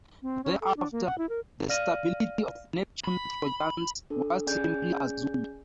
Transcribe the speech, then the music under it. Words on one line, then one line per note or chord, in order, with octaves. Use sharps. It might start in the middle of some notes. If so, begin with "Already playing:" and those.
Thereafter, the stability of Neptune trojans was simply assumed.
C4
C#4
A4
D4
A#3
F#5
E4
A#4
D5 F5 F6 A#6 D#7 F#7
B5
D4 A4
C#4 G#4 D5 G#5 G6